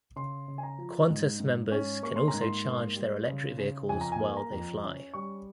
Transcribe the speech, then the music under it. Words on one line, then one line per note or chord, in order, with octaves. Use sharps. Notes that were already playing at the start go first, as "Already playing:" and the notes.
Qantas members can also charge their electric vehicles while they fly.
C#3 C6
C#3
G#5
A#5
F3
G#2
G#2
C#4
A#3 C#6
C6
A#5
G#2
C6
A#3
G3
C#3
C#3
F2 G#5
A#5
G#5
A#3
A#5
F2
C#4
G3 C#6